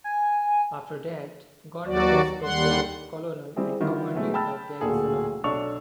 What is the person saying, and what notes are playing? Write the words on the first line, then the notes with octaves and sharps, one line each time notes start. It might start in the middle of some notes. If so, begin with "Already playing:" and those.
After that, Gonta was proclaimed colonel and commanded the garrison of Uman.
G#5
D#2 F#3 F#4 D5
D#2 G3 F#5 C6
G3 C4 E4 G#4
D3 D#3 G3 E4 F4
B2 F#3 G#3 A3
G5 A5 B5 E6 F6 A6
D1 D2 A#2 G#4 A4
B1 D4 A4 C#5 C#6 F7